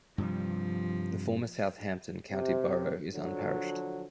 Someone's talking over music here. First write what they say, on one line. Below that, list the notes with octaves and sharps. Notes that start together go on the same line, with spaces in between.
The former Southampton County Borough is unparished.
G2 C3 F3 G3
C3
D3 F3 F#3